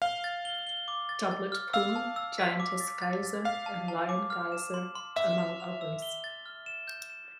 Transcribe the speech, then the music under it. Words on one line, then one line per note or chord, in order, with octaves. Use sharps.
Doublet Pool, Giantess Geyser and Lion Geyser, among others.
F5 G7
A6
G7
G7
D6
A6
A6
F6
F5 E6
A5
E6
B6
D6
A6
A6
A6
F5 C7
A5
A5
D6
F6
E7
C6
C6
E5 E6
F7
F7
E6
G7
A6
F6
E7
G6
E7